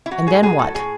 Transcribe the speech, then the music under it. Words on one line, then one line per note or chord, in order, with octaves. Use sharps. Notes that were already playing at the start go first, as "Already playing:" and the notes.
"And then what?"
E4
F#3 F#4
A2 G#4
F#3 G#4
A2 A4
A2 G#4